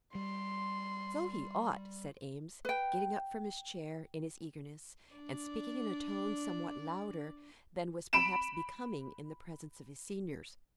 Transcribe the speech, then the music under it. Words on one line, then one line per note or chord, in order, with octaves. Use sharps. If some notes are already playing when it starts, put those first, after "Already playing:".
"So he ought," said Eames, getting up from his chair in his eagerness, and speaking in a tone somewhat louder than was perhaps becoming in the presence of his seniors.
G3 C6
B4 G5
D4 D5
B5 D7 E7